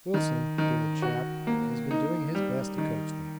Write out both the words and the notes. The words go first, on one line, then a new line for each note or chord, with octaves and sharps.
Wilson, dear chap, has been doing his best to coach them.
D#3
D#3
F#4
A#3
D#4
G3
D#3